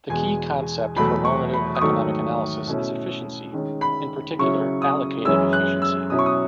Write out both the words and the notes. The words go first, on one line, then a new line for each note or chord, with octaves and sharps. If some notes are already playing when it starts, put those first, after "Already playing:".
The key concept for normative economic analysis is efficiency, in particular, allocative efficiency.
E2 B2 G#3 G#5
E2 B2 F#3 A3 B5
C#6
B5
D#6
G#2 D#3 F#3 A3 C#6
B2 A3 C#4 E4
D#3 G#3 C#4
B5
C#3 F#3 C#4 E4 C#6
D#6
F#2 E3 G#3 C#4 E4 E6
F#6
E6
B2 F#3 C#4 E4 D#6
C#6
D#6